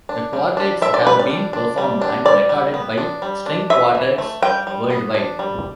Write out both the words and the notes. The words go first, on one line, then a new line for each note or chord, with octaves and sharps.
The quartets have been performed and recorded by string quartets worldwide.
D4
G3
D4
D4 E5
D5
G3 B4
D5
D4
D4
G3
D4
G3 D5
G3
B3
D4
G3
D4
E3 E5
E3
A3
G3 G5
G3
B3
D4
G3